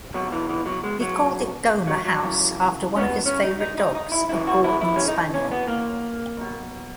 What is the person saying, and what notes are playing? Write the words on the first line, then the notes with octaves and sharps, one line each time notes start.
He called it Gomer House after one of his favourite dogs, a Gordon Spaniel.
C#2 B2 F#3
E3
E3
F#3
G#3
F#3
F#3
F#3
F#2 C#3 E3
C#4
B3
C#4
D#4
D#4
D#4
D#4
E4
F#2 C#3 E3 E4
F#4
E4
E4
C#4
D#4
C#4
B3
A#3
B1 B2